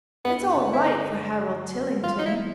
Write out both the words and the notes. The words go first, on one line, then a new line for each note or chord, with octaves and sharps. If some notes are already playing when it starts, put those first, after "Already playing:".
It's all right for Harold Tillington.
G2 B3
D3 B3
E4
D3 D#4
G2
F#3
G2
E3 F4
D#4
E4
G#3